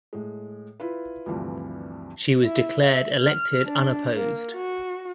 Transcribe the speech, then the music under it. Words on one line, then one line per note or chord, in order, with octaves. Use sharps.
She was declared elected unopposed.
A2 G#3
E4 F4 B4
D2 G2 C3 E3 F3 G3
E4
E5
F6
D4
A#3
F#4